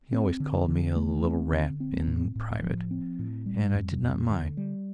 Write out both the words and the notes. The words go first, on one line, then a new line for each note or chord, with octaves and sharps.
He always called me a little rat in private, and I did not mind.
C4
D3
D3
A3
C4
D3
C4
A2
A2
F3
C4
A2
G3
F2
F2
D3
G3